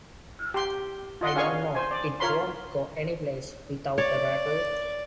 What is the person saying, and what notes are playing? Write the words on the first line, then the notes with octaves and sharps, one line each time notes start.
I don't know, it won't go anyplace without a rattle!
G4 C6
F4 D#5 F#5 C6
C#4 D4 G#4 F5 G#5 C#6
C5 G#5
D5
F4 A#4 C#5 B5 C6
C#5 D5